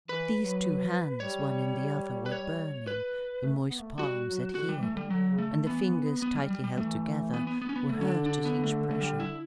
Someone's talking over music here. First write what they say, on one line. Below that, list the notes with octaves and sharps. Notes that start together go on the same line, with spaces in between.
These two hands, one in the other, were burning; the moist palms adhered, and the fingers tightly held together, were hurt at each pressure.
E3 B4
F#3
G3 C#5
B4
C#5
B4
A3
B3
A3
G3 F#4
F#3
D3 F#4
G3
E3
A3
D3 G3
D3 F#3
C#3
A3
D3
E3 B3
E3
B3
G3
G3
G3
E3 A3
B3
B3
B3
C#4
B3
D3 A3
C#4
D4
D4
B3
A3
A3
G3
E4